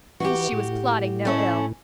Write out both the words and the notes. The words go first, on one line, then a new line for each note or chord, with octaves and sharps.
And she was plotting no ill.
E3 F#4 G4
A2
A3 C#4 E4